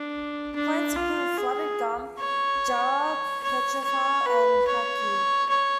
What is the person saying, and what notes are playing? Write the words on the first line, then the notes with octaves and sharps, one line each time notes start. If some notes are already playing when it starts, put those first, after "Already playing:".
Plants include flooded gum, jarrah, petrophile and hakea.
Already playing: D4
D4
F4
G#4
C#5
C#5
C#5
B4
C#5
C#5